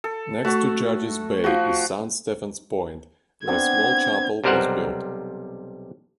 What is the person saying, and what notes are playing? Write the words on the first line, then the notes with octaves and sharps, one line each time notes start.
Next to Judges Bay is Saint Stephen's point, where a small chapel was built.
A4
A3 F#4
F3 F#4
B3 C4 D4 G#6
B1 C3 G3 A#4 C5 F#5